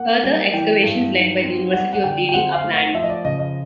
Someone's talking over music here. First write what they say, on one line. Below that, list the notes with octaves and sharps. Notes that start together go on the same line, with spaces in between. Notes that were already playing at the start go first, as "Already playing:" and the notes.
Further excavations led by the University of Reading are planned.
Already playing: A#3 F#5
G3
E3 G5
G2
D#4
C4
G3 F#5
F#5
D3 G5
G5
C4 F#5
F5
A3
F#5
F3 E5
D#5
D5
C#3 D#5
D#5